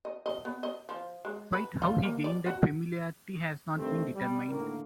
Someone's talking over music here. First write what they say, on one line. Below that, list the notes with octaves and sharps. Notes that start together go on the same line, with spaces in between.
Quite how he gained that familiarity has not been determined.
D#5
D#5
B3
D#5
F3
G#3
B4
F4
A#3
D5
F#4
G2 C3 D#3 G3 A3 C4
G3
D#2 A2 D3 A#3